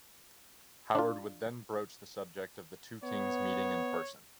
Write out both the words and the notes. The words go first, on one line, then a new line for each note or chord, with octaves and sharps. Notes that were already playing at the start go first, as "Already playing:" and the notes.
Howard would then broach the subject of the two Kings meeting in person.
D4 F4
B3 C#5